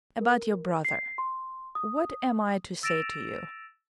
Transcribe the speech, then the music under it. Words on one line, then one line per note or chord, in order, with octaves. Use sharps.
About your brother, what am I to say to you?
A#4
C7
C6
D#6
E6 A6 A#6 D7 E7 F7